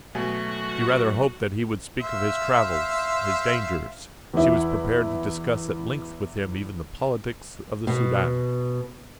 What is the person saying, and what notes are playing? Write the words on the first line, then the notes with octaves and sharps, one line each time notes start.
She rather hoped that he would speak of his travels, his dangers; she was prepared to discuss at length with him even the politics of the Soudan.
B2 F#3 A3 F#4 G#5
C5 E5 F5
E2 E4
B2